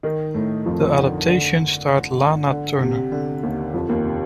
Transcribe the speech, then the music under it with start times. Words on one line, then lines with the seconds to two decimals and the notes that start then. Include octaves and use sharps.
The adaptation starred Lana Turner.
0.03 D#3 D#4
0.34 A2 A3
0.66 F2 F3
0.97 D3
1.27 D3
2.50 D3
2.81 C3
3.12 D3
3.43 D#2 D#3
3.74 F2 F3
3.89 D#2 D#3
4.05 C3